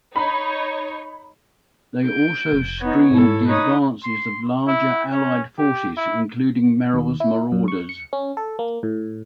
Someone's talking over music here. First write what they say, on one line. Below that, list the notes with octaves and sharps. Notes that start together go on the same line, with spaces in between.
They also screened the advances of larger Allied forces, including Merrill's Marauders.
D#4 C#5 B5
G6 D7
F1
B3 D#4 C#5
G#2 E4 A4
D#4 B4 C#5 D#6
C6
E4
C#4
G4
E4
D#2
E4
F#2
C#6
C#7
C#4
A4
A#3
A2